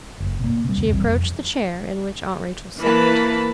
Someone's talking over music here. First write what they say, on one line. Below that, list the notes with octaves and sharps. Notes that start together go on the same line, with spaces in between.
She approached the chair in which Aunt Rachel sat.
F#1
B2 A#3
C3 G3
E2 C#3
B1 C3 E3 G3
F2
E3 A#3 B4 A5 B5